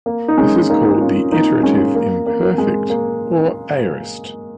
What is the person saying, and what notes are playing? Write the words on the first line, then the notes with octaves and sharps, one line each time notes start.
This is called the "iterative imperfect or aorist".
A#3
D#4
G#3 C#4
A#3 D#4
C#4 F4
A#3 D#4
G#3 C#4
A#3
A#3
G#3
A#3